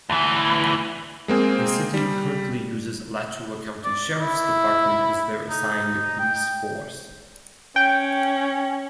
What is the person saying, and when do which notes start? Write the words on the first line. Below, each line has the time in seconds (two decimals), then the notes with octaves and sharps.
The city currently uses Alachua County Sheriff's Department as their assigned police force.
0.10 D2 E3
1.28 G#3 A#3 C4 G#4
1.94 G3
3.84 D5
4.20 E4
5.50 D#4
6.19 G5
7.76 C#4 G5